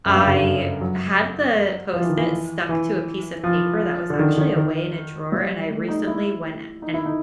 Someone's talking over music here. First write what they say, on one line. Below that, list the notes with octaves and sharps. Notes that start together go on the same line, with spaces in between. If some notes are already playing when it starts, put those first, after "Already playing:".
I had the Post-it stuck to a piece of paper that was actually away in a drawer, and I recently went a and
F#2
G2
C#3
D3
F#3
F3
E3
D#3
E3
E3
F3
D3
D#3
D#3
D#3
G3
A3
D#4
E4
D#4
E4
D#4